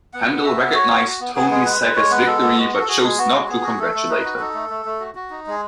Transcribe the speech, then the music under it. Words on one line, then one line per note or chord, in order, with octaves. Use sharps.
Handal recognized Tony Saca's victory, but chose not to congratulate him.
B3 F#5
B3
F#4 E5
B3
F#4 C#5
B3
F#4
B3
B3 G#4
G#3 G#4
G#3 B4
G#3
G#3 C#5
B3 B4
G#3 A4
B3
G#3 F#4
F#4
A4
F#4 G#4
G#3 G#4
B3 F#4
G#3
B3 G#4
F#4
A3 A4
A3
D#4 B4
F#4
D#4 A4
A3
A3
A3
F#4
F#4
D#4
G#3 G#4